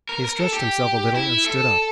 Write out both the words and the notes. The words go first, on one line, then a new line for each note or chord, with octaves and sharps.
He stretched himself a little and stood up.
A#4
A#4
A4
G4
E4
A4